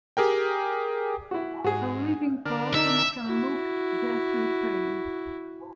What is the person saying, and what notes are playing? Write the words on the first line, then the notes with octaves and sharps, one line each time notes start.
A living person can look deathly pale.
G4 G#4 A#4 G5
E4 F#4
G#2 F#4 G#4
D3 D4 A#4 F6
D#4 E5
E4 F#4